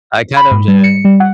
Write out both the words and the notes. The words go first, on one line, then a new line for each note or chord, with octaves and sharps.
I kind of d
B5
G#2
G3
C#7
G3
F#5